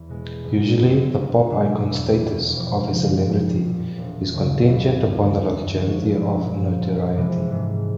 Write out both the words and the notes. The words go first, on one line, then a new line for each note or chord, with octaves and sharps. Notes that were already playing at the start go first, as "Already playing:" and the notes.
Usually, the pop icon status of a celebrity is contingent upon longevity of notoriety.
Already playing: E2
B2 G#3 B3
F#1
F#2 D3
C2
B2 F#3 A3 D4
E2
B2 G3 A#3
F2
C#3 F3
C2
A#2 G3
E1
D#2 C#3 F#3
G#1
G2 D#3
F#2
D3 F3 G#3 C#4
B1
A#2 F3 G#3
F2
C3 E3 G#3
G#2